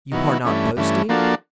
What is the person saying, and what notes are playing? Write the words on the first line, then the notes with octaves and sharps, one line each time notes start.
"You are not boasting?"
D#3 F#3 B3 E4
G2 E3 A3 C#4
G2 E3 A3 C#4
F3 A#3 D4 F#4 A4